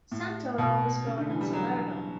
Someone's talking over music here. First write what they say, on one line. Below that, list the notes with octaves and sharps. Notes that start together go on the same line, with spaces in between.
Santoro was born in Salerno.
A2
B2
C#3
D3
E3
G3
F#3